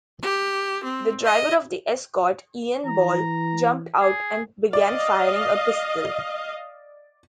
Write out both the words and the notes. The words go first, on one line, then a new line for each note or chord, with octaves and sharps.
The driver of the Escort, Ian Ball, jumped out and began firing a pistol.
G4
C4
D#5
E3 A#5
G#4
D5 D#5 F5